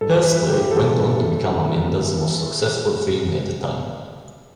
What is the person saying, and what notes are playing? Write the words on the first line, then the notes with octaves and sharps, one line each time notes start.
"Hairspray" went on to become Amanda's most successful film at the time.
G2 A4
E3 B4
G2 G4
E3 A4
G2
E3
G2
E3
G2
E3